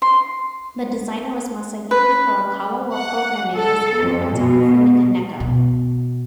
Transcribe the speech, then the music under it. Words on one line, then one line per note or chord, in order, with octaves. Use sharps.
The designer was Masayuki Horikawa, while programming was handled by Takafumi Kaneko.
C6
B4
F#5
A4
F2
B2
B2